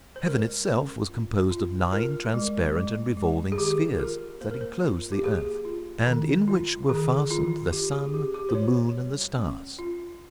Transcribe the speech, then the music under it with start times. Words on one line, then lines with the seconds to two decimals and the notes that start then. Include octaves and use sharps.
Heaven itself was composed of nine transparent and revolving spheres that enclosed the earth, and in which were fastened the sun, the moon and the stars.
0.16 C5
0.26 G#3 A#4
0.68 C#4
1.09 F4
1.51 F4
1.92 F4 A#4
2.34 G#3
2.76 G#3
3.17 G#3
3.52 G#4
3.58 D#3 G4
3.99 F4 A#4
4.41 A#3 C5
4.51 A#4
4.61 C5
4.82 F4
5.12 G4
5.23 A#3 G#4
5.65 F4
6.07 D#3
6.48 F4
6.89 D#3 G#4
7.30 D#3 F4
7.72 F4 G4
7.93 G#4
8.13 C#4 G4
8.34 G4
8.49 C5
8.55 F4 C#5
8.96 G3
9.37 C#4
9.79 F4